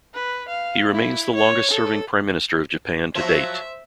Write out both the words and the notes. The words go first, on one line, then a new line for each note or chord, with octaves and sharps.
He remains the longest-serving Prime Minister of Japan to date.
B4
F5
E4
C#5
A4
F3 F#3 C5 E5